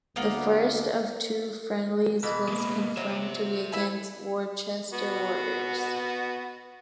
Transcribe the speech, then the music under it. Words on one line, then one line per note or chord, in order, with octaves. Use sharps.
The first of two friendlies was confirmed to be against Worcester Warriors.
D2 A#3 B3
B2 E3 B4
G#3 A#3
F#3 C5 E5
E4 B4 G#5
B3 F#4